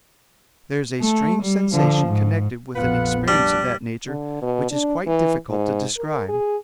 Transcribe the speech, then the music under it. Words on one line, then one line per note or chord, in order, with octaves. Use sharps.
There is a strange sensation connected with an experience of that nature which is quite difficult to describe.
A3
G3
D3 F3
G#2
A#1 F2 B3 F4 B4 F#5
G3 D4
D3
B2
D4
E3
G#2
A#4
G#4